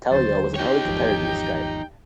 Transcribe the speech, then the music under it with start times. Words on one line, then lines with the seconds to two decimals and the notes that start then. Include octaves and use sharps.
Teleo was an early competitor to Skype.
0.11 D#2 D3 F#3 C5 A6
0.56 D#4 G4 C#5 G5
0.85 G#1 E2 F3